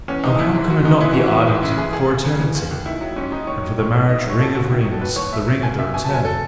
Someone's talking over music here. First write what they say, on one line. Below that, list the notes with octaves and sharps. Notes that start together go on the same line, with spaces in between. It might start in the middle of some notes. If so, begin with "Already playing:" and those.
Oh, how could I not be ardent for Eternity, and for the marriage-ring of rings--the ring of the return?
E2 C#4
E2 D#4
E3 E4
G#2
E3 F#4
G#2 D#4
E3 E4
G#2 F#4
E4
E3
G#2
C#3 E4
E3 G#4
C#2 G#4
C#2
C#3
E3
C#2
C#2
D#3 E4
F#3
G#2 C#4
G#2 D#4
D#3 C#5
F#3
G#2 C#5
G#2
D#3 D#5
F#3 E5
C#5
D#2 A4
D#2 F#4
D#3 E4
F#3 F#4
A4
D#2 B4
D#2 C#5
B2 E5
F#3
C#2 G#5
C#2 E5
B2 G#5
A5
F#3 G#5
A4